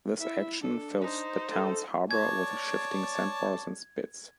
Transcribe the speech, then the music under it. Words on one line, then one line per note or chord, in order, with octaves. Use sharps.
This action fills the town's harbor with shifting sandbars and spits.
E4 E5
D4 A4
D#4 C5
A4
C#5 D5 A5 G#6